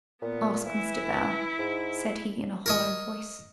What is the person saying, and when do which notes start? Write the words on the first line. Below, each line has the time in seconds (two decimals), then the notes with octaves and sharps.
'Ask Mr. Bell,' said he in a hollow voice.
0.22 A#2 B3
0.66 E3 E4
1.59 G#2
2.66 A#4 C#5 D#5